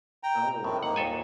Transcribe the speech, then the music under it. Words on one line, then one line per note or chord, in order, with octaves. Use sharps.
Oh, really?
G5 A#5
A2 D#3 C4
A#3 D#4 F#5
D#2 A#2 A4 G#5